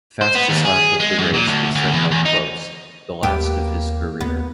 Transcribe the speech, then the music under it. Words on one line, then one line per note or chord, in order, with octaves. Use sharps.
Fastest lap of the race was set by Prost, the last of his career.
C5
B3
D#2
G#4
G#3
F#2
A#2
D2
D2
E2
E2
D#4
D#2 A#3 B3 G4
D#2 B3